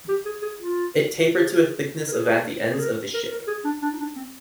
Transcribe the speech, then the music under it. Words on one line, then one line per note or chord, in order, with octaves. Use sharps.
It tapered to a thickness of at the ends of the ship.
G4
G#4
G#4
F4
G4
G#4
A#4
G#4
G#4
A#4
A#4
A#4
G#4
D4
D4
D#4
D4
C4